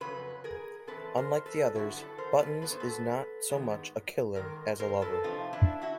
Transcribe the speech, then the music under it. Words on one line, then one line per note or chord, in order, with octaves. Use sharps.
Unlike the others, Buttons is not so much a killer as a lover.
F2 C#3 F#3 B4
G#4 A#4
A2 E3 A3 C4 A4 B4
A#4 C5
A4 B4
F#2 D3 G3 E4 F#4
A4 B4
A#4 C5
A4 B4
A2 F#3 B3 B4
C5
A4 B4
G2 D#3 G#3 B3
G#2 D#3 A#4
A#4 C5
A4 B4
C3 F3 A3 C4 D#4 F4
D4 E4
E4 F#4